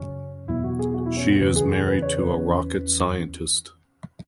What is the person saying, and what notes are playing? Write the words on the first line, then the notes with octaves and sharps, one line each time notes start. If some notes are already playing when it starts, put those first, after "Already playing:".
She is married to a rocket scientist.
Already playing: F#2 C#3 F#3 C#4
E2 B2 F#3 B3 E4
F#4
G#4
F#4
E4
C#4
F#4
E2 C#3 E3 C#4 B4
G#4
G#4
B4
C#5
B4
E2 E3 C#4